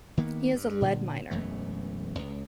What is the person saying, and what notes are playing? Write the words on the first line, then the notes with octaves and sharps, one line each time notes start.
He is a lead miner.
D#3 A#3 B3
G2
A#2 D3
E1 F#2 E3 A3
C#2